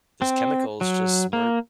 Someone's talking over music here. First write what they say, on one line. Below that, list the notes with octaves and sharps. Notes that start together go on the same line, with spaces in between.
those chemicals just weren't
C4
F#3
A#3